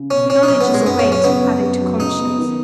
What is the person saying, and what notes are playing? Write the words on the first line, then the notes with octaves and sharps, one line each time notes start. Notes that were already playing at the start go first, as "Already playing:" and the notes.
"Knowledge is a weight added to conscience."
Already playing: C#3
B2 C#4
B3 C#4
D#4
F#3 C#4
B3
D#4
G#3
F#2 B3
C#4
F#3
C#4
C#3 B3
F#2
F#2
F#3
C#3 D#4
B3
D#3